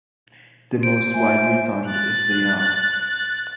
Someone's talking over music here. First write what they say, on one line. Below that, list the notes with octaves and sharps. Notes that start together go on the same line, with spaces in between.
The most widely sung is "The Yard".
C5 D7
E5 G#5
F#6 A6